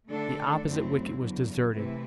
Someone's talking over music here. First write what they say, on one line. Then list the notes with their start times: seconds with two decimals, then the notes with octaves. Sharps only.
The opposite wicket was deserted.
0.09 D3 A3 D4 A4
0.64 F#2 F#3 A3 C4 E4
1.19 E2 D3 F#3
1.73 C3 E3 A3 E4 B4